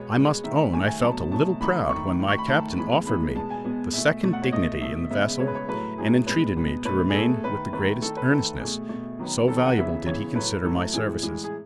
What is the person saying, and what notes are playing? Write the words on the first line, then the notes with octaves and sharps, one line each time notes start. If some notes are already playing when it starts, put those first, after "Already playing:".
I must own I felt a little proud when my captain offered me the second dignity in the vessel and entreated me to remain with the greatest earnestness, so valuable did he consider my services.
Already playing: B2 G#3 B3 C#5
B2 G#3 B3
D#3 A3 E5
D#3 A3 G#5
G#5
B2 F#3 A3 A5
B2 F#3 A3 A5
D#3 A3 B5
D#3 A3 C#6
D#3 A3
C#6
B5
D#3 A3 A5
A2 E3 G#3 B3 B5
A2 E3 G#3 B3 B5
B2 G#3 B3 A5
G#5
B2 G#3 B3
B2 A3 E5
B2 A3
F#5
C#5
B2 A3 D#5
B2 A3 E5
C#3 G#3 B3 E5
C#3 G#3 B3 C#5
B4
C#5
A2 F#3 A3 B4
A2 F#3 A3 G#4
B2 G#3 B3 B4
B2 G#3 B3
B2 A3 B4
G#4
B2 A3 A4
D#3 A3 B4
D#3 A3 B4
D#3 A3 A4
B4
D#3 A3 A4
B2 A3 G#4
B2 A3
D#3 F#3 B3
D#3 F#3 B3 A4
F#5
C#3 E3 B3 E5
C#3 E3 B3 C#5
A2 F#3 A3 B4
A2 F#3 A3 A4
A2 E3 G#3 G#4
A2 E3 G#3 G#4
G#4